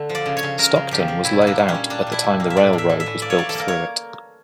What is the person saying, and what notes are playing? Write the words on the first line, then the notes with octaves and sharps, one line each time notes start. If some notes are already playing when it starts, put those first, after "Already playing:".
Stockton was laid out at the time the railroad was built through it.
Already playing: D3 A3
F3
D5
C#3
C#5
C#3
C#3 A#4
C#3
F3 G4
F3
A#2 E4
A#3
D4
G3
C#4
G3
G3 D4
A#2
E4
G3
A#3
E5
A2 D5
A2
E5
E3
E5
E3
A#3 D5
C#5
E3 D5
A4
A#3 A#4
C#5